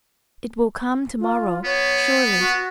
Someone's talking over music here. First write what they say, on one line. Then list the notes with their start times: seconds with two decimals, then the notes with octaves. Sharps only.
"It will come to-morrow, surely."
1.20 F4
1.65 B3 C#5
2.38 F#4